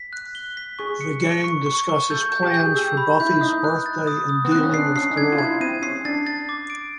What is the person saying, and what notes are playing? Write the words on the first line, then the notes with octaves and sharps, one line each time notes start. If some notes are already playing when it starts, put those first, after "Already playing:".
The gang discusses plans for Buffy's birthday and dealing with Glory.
Already playing: B6
F#6
G7
B6
G#4 C#6
C#7
C#7
C#6
C#6
C#6
A4 G6
G6
G4
G6
G#4
G4 E6
B5
E4 G6
D#4 D#6
F#6
A6
D#6
D#6
B3
C4 F#6
C#4
D4 C7
C#4 C7
D#4
D4 G#6
F4
E4 G#6
C4 D#7
C#4 C7
D4 A6
A6
D6
D7